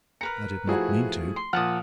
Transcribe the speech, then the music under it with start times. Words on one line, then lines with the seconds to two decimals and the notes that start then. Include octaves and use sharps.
I did not mean to.
0.21 A#4 B4 A#5 C#7
0.67 F3 A3 E4 F#4 G#4
1.36 C6
1.53 A#2 F3 F#5 A5 D#6 F6